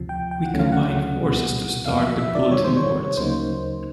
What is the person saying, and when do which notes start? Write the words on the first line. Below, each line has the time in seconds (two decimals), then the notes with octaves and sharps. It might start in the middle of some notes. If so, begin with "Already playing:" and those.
We combined forces to start the Bulletin boards.
Already playing: D2 C3 F3
0.09 G5
0.31 G5
0.46 F#5
0.54 D2 C#3 F#3 A3 C#4
0.59 F5
0.72 F#5
1.20 C#2 B2 G3
1.86 E2 C3 F3 A#3 F5
2.02 E5
2.18 E5
2.35 D5
2.51 C3 D#3 G3 C4 C#5
2.64 C5
2.77 C#5
3.17 D2 C#3 F#3 A#3 D#4 C5